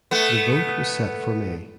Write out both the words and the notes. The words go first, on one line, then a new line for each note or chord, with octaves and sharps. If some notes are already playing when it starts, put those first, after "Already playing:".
The vote was set for May.
A3 B3